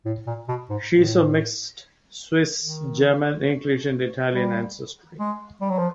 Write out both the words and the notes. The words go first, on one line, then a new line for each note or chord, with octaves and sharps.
She's of mixed Swiss, German, English, and Italian ancestry.
A2
A#2
B2
G#2
A2
D#3
G3
G#3
G3
F#3
F3